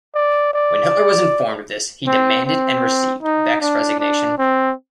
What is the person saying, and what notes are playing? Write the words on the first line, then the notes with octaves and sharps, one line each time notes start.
When Hitler was informed of this, he demanded and received Beck's resignation.
D5
D5
C4
C4
D#4
D4
D4
C4